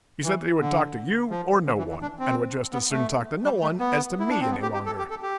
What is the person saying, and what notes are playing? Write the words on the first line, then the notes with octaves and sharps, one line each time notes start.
He said that he would talk to you or no one and would just as soon talk to no one as to me any longer.
E3
D3
F3
D3
E3
E3
D4
C4
B3
A3
G3
A3
B3
E4
D4
C4
B3
G4
G4
A4
G4
A4
G4